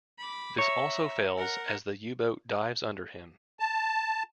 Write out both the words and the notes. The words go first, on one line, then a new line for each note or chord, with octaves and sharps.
This also fails as the U-boat dives under him.
B5 D6
C#5 E5 A#5
A#4 F#5
A5